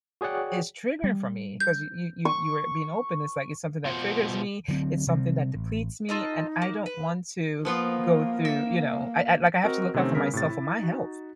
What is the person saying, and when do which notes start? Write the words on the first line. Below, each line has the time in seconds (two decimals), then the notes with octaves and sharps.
is triggering for me 'cause you you you were being open, it's like, it's something that triggers me, it's something that depletes me, and I don't want to go through, you know, I I, like, I have to look out for myself for my health.
0.21 F#4 G#4 C#5 D5 F#5 G5
1.04 G3
1.60 G6
2.25 C#6
3.85 B2 F4 C5 F#5
4.68 D3 F#3 B3 C4
5.07 C3 G3 C4
5.55 A1
6.09 D#4 F4 A4 D#5
6.62 A#3
6.86 B4
7.65 F3 A#3 B3 F4
8.45 E5
9.63 C4 F#4 A#4 D#5 F#5
9.94 C3 D#3 A3 C4 C#4
10.15 C#3 G3 B3 C#4 A#4 B6
10.33 A2 C3 A6
10.50 E4
10.79 D#4 F#4